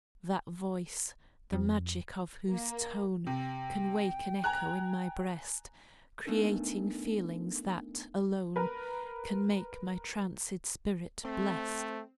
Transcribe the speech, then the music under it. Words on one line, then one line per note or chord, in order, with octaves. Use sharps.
That voice, the magic of whose tone Can wake an echo in my breast, Creating feelings that, alone, Can make my tranced spirit blest.
F2
A#3
C3 G5
G#5 A#5 F#6
A3 B3 D4 D#4 A4 A#4
A#4 B4
A3 C4